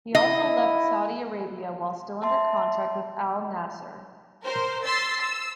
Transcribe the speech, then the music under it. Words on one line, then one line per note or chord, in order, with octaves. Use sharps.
He also left Saudi Arabia while still under contract with Al Nassr.
E4 D#5
E5 A5 C6
A#4 C5
C6 E6 A6 B6 C7
E6